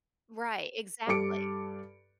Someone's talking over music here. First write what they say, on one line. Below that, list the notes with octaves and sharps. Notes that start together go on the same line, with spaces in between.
Right, exactly.
G2 G3 A4 D6 C#7 D7